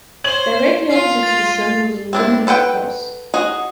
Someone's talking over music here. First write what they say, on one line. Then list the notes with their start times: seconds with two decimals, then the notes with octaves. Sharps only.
Directly opposite to the sun was a luminous cross.
0.24 C5 C#5 G#6 F#7
0.90 F4 C7
1.23 A6 F7
2.13 C4 D4 E4
2.47 A4 B4 F#5 G5
3.34 D#4 F#4 G#4 D#5